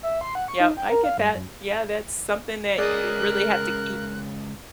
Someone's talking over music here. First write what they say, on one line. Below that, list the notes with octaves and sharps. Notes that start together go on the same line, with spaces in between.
yep, I get that. Yeah, that's something that you really have to keep
E5
C6
F#5
C#6
D#4
G5
A#4
F5
G2
F#2
C#2 G#4 A#4 D5 D#5 F#6